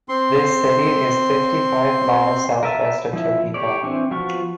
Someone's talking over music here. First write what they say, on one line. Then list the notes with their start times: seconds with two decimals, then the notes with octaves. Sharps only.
This city is fifty-five miles southwest of Topeka.
0.09 C4 C6
2.63 A#4 B4 E5 A5
3.13 F3 E4
3.54 G4 C#5 D5
3.83 E3 C4 D4 C5 C#6
4.11 F3 B3 F4 F#4 C#6